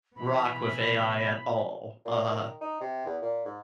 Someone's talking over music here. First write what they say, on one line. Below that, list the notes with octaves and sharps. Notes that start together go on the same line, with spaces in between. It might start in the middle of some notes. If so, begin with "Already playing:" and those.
rock with AI at all. Uh,
B2 E3 B5
A#2
D#3
D#4
C3
E2
A#2
G#2